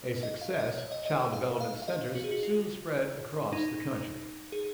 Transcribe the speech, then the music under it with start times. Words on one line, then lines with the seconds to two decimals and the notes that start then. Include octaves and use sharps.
A success, Child Development Centers soon spread across the country.
0.23 D#5
0.42 F5
0.59 D#5
0.78 C#5
0.92 D#5
1.06 D#5
1.19 D#5
1.33 F5
1.60 F5
1.82 F5
1.88 D#5
2.15 F#4
2.24 G#4
2.31 F#4
2.43 F4
3.53 D#4
4.52 G#4